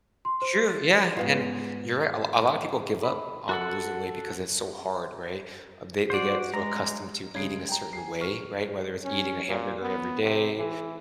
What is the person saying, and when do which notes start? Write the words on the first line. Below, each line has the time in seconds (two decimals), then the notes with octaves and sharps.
True, yeah, and you're right, a a lotta people give up on losing weight because it's so hard, right? Um, they they get so accustomed to eating a certain way, right? Whether it's eating a hamburger every day,
0.25 C6
0.42 C5
0.70 A6
1.17 G#2 B3 F4
3.03 B5
3.49 F#4 A4 F#5
6.10 F#4 C5 D5
6.54 G#3 A#5
7.35 C#3 G#3 G#6 C7 D7
7.69 G5 A#5
7.93 G#5 C7
8.21 C#6 F6
9.04 C#4
9.49 A#2
9.82 B3
10.22 C3
10.58 E3